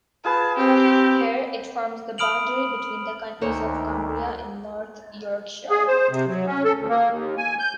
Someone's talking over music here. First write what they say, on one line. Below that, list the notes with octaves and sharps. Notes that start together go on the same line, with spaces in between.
Here it forms the boundary between the counties of Cumbria and North Yorkshire.
F4 G#4 B4 A5
C4 G4
B5 D#6 F6 D7 F7 F#7
D2 D#3 A#3 C5 C#5
G#4
C5
C3
F#3
C#4
A4
D2
A#3
D#2
G#5
G6